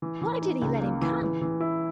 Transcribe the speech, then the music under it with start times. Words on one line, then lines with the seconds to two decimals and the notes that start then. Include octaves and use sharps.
Why did he let him come?
0.02 E3
0.21 E3
0.42 D#4
0.62 C#2
0.81 A#3
1.02 E3
1.22 E3
1.41 E3
1.61 E4